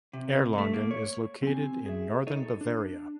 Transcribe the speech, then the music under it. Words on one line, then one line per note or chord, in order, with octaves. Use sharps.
Erlangen is located in northern Bavaria.
C3
A3
A#3
C#5
C4 G4 G#5
G#4 E5
D#4 G#4 A4 C#5 D#5 E5
A4
D4